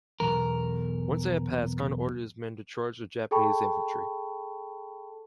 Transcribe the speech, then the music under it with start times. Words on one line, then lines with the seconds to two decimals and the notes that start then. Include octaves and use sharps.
Once they had passed Khan ordered his men to charge the Japanese infantry.
0.20 B1 E2 A#4
3.31 G#4 A4 G5 A5 B5 C#6